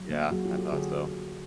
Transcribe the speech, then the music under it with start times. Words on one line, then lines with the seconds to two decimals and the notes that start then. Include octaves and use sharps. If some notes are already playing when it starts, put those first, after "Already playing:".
Yeah. I thought so.
Already playing: F#3
0.10 A#3
0.31 F#3 F#4 G#4
0.45 F4 G4
0.52 F#3
0.59 G4 A4
0.72 D3 F#4 G#4